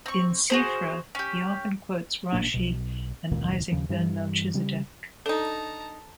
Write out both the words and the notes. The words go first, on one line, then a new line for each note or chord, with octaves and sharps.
In "Sifra" he often quotes Rashi and Isaac ben Melchizedek.
C4 C#6
F#4 G#4 C5
C#4 G4
A1 A#2 A#3 D4
B1 B2
E1 C#2 A#2 D#3
D#2 C#3 F3
G2 E3 F#3 G3
C#3 G3
D4 D#4 A4 A5 A#5